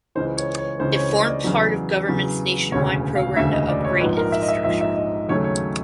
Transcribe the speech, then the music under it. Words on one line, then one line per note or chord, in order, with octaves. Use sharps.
It formed part of government’s nationwide programme to upgrade infrastructure.
C#2 C#3 E3 C5
C#5
C#5
C#2 C#3 E3 C5
C#5
D#5
D5
E2 C#3 F#3
E2 C#3 F#3
E1 D2 C#3 C#5
F5
E1 D2 C#3 E5
D#5
D5
C#5
A#1 G#2 F3 B4
A#4
E5
D#5
E5
A#1 G#2 F3 E5
E5
D#5
D#2 C#3 F#3 A3 C#5
C#5